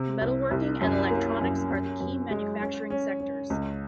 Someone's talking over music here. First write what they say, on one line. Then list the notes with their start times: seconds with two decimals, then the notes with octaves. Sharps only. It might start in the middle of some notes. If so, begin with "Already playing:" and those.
Metalworking and electronics are the key manufacturing sectors.
Already playing: C3
0.21 C2
0.51 C2
0.81 F#2
1.11 A#3
1.41 F#2
1.71 F#2
2.00 F#2
2.31 G#3
2.61 C#4
2.90 C#4
3.20 C#4
3.50 C#2